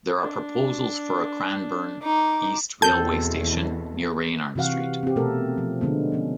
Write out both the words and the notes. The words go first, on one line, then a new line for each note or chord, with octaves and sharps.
There are proposals for a Cranbourne East railway station near Reynard Street.
D4
D#4 D6
E2 B2 C4 A4 A5 G6
C3 E3 F#4 F5 F#5
C4 G4
B2 A3 A4 A#4
F3
D3 G#3 B3
F3 C#4